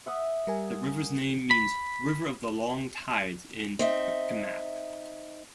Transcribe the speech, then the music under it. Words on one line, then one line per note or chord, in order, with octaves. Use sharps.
The river's name means "river of the long tides" in Mi'kmaq.
E5 F#5 D#6
G3 A#4 G#5
B5
C4 D#4 E5